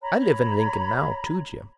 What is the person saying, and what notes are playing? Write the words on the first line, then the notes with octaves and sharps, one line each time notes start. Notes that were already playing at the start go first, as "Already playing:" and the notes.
I live in Lincoln now, too, Jim.
C#5 A#5 B5